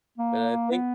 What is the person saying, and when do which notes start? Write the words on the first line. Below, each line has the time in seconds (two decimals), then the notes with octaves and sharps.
But I think
0.18 A#3
0.71 B3